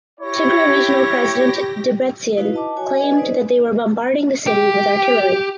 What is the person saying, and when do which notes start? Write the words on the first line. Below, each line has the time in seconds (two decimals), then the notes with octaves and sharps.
Tigray regional president Debretsion claimed that they were bombarding the city with artillery.
0.20 E4 G4 C#5 A#6
2.37 D#4 E4 F#4 B4 F5
2.54 D#5 A5 D6
2.76 F#4 C#5 G#5
2.98 G#4 B4 D#5 G#5
3.17 D#4 B4 C5 D5 D#5
4.47 G4